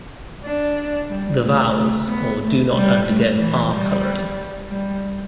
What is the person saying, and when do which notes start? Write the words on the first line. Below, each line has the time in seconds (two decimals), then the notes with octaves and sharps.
The vowels or do not undergo R-coloring.
0.44 D4
1.10 G3
1.43 A3
1.76 A3
2.09 B3
2.41 A3
2.74 G3
3.06 A3
3.39 E3
3.72 G3
4.70 G3